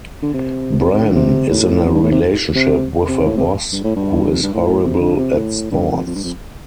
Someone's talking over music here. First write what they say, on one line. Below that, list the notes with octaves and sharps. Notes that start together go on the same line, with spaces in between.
Bran is in a relationship with her boss, who is horrible at sports.
D3
C3
C3
C3
D3
C3
A2
F2
G2
A2
C3
C3
C3
A2
C3
G2
A2
G2
F2
G2
A2
A2
C3
D3
C3
A2
G2
F2
F2
G2
F2